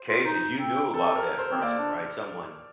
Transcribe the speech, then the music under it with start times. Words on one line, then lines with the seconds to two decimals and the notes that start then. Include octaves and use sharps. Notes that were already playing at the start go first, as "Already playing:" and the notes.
cases you knew about that person, right, someone
Already playing: C5
0.08 F4
0.25 D#4
0.59 C4
0.93 C4 A4
1.16 A#4
1.39 C5
1.52 C4
1.62 A#3 D5
1.79 D4